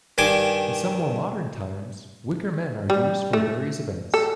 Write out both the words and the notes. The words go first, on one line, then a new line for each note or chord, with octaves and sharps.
In some more modern times, wicker men are used for various events.
G2 D#3 G#5 D6
G3
A3
A4